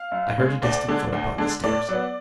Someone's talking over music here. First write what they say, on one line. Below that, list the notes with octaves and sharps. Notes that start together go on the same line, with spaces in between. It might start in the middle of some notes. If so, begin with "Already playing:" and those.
I heard a distant foot upon the stairs.
Already playing: F5
F#2
C#3 G#3
D2 D5
D3 G#3 D4
D2
D3 G#3 D4
A2 D5
F#3 B3